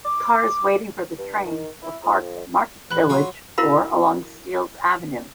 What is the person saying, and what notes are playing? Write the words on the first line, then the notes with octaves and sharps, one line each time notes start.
Cars waiting for the trains were parked at Market Village or along Steeles Avenue.
D6
G2
D#3
E4
F2
A1 B5 F#6
F#3 F4
E4 F#4 A#4 F5 B5